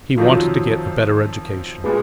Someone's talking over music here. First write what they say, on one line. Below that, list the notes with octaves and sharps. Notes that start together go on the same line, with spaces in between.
He wanted to get a better education.
F2 D#3 F#3 F4
A#2 G#3 G#4 B4